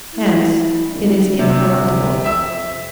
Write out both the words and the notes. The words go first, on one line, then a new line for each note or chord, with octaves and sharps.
Hence it is incorruptible.
E4
D3 G3 C4
C3
F2 E5 E6